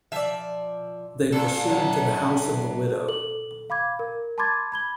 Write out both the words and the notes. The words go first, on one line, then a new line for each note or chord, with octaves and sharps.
They proceed to the house of the widow.
F3 D5 E5
A#2 D4 A4
F#2 F#3
A4 F#7
F5 B5 D6 G#6
A#4
A5 B5 C6 D6 G#6 A6
B5 G#6 G7